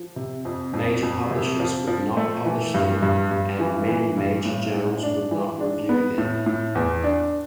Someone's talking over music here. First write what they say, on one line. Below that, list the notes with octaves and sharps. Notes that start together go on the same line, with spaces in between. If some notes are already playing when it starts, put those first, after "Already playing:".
Major publishers would not publish them and many major journals would not review them.
Already playing: F3
C3
F2
F2
F2
C3
F3
F3
A3
E3
G2
G2
G2
E3
E3
G2
A2
A2
D4
E3
D4
B3
A2
A2
E2
D4